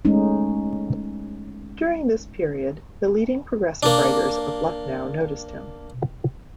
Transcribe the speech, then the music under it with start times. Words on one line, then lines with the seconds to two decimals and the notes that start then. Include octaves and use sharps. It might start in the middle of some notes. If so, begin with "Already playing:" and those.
During this period, the leading progressive writers of Lucknow noticed him.
0.05 G#3 A3 C#4 D#4
3.83 A#3 D4